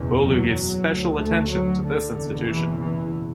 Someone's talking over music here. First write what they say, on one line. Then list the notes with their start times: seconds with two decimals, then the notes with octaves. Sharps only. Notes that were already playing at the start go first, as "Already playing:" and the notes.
Bholu gave special attention to this institution.
Already playing: F#1 E2 B2
0.19 F#3
0.85 D2
1.17 A3
1.50 F#3
1.83 D3
2.15 F#1 E2 B2
2.48 E3
2.81 E3